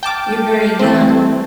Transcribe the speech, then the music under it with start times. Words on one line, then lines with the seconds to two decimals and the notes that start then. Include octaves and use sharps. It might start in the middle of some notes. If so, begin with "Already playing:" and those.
you're very young,
0.03 G5 A5 D6 F6
0.79 E3 A3 C4